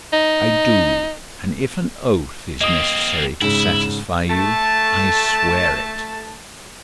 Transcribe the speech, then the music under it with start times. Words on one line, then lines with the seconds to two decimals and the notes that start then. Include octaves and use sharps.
"I do; and if an oath is necessary to satisfy you, I swear it."
0.13 D#4
2.61 A#3 C4 D#5 D#6
3.41 G#2 C#3 E4
4.29 A3 A5